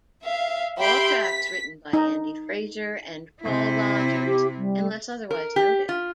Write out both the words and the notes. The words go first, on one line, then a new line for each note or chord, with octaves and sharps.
All tracks written by Andy Fraser and Paul Rodgers unless otherwise noted.
E5 F5
G4 E5 B5 C6 G6 D7
B6
D#4
C3 E4
G4
G3
A#4
G4
F4